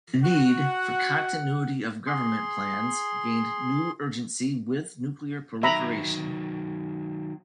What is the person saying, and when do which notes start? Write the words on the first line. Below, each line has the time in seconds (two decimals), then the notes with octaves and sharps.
The need for continuity-of-government plans gained new urgency with nuclear proliferation.
0.23 F#4 F#5
2.06 G#4 C6
5.63 D#3 F#3 E5 A#5 B5